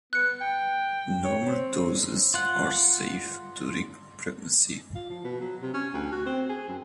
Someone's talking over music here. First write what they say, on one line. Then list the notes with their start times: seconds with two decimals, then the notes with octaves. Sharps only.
Normal doses are safe during pregnancy.
0.13 B3 F#6 C#7
0.41 G5
1.24 C#5
1.47 C4
2.34 F4 F#5
4.95 F4
5.10 F3
5.24 B2
5.41 F#3
5.62 C3
5.74 C#4
5.94 D2
6.12 F#4
6.26 C4
6.49 G#4
6.68 F#2